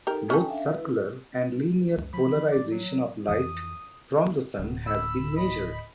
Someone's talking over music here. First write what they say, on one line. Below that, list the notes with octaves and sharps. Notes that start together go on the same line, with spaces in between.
Both circular and linear polarization of light from the Sun has been measured.
D#4 G4 A4 A#4
C#4 D#4 A4 G5 G#5
D4 E5 F5
B4
E4
C#2 F#2
E3 F3 B5
D5
F#3
F2 E3 D#6
D1
B5 E6
D#5 B5